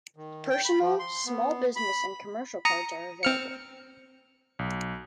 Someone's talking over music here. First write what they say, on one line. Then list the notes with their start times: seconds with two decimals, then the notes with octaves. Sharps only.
Personal, small business and commercial cards are available.
0.16 D#3
0.49 G5
0.65 B5
0.81 F3
0.99 C6
1.26 B3
1.76 B5
2.65 A#5 D#6 C#7
3.23 C4 F6 C#7
4.59 B1